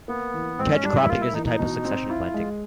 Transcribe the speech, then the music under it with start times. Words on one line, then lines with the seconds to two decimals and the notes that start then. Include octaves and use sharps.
Catch cropping is a type of succession planting.
0.08 A#3 B3
0.34 E3
0.58 G#2 C4
0.71 C#4
0.83 G3 D4
0.96 E4
1.09 A#3 F4
1.21 E4
1.33 E3 D#4
1.46 D#4
1.59 B2
1.85 C4
2.09 E4 F4
2.34 G#3